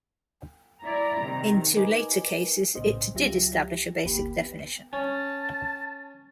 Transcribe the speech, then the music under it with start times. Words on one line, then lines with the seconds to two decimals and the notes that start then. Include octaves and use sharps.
In two later cases, it did establish a basic definition.
0.83 E4 D5 A#5
1.20 C3 D#3
1.77 D#4 A#4 B4 D#5 G#5 D6
2.75 A#1 A2 C#3 B3 C5 D#5
3.15 C#2 F#3 F4 G4 E5 A#6
4.04 G1 D2 A#3 G4 B5
4.38 B3
4.93 C#4 A5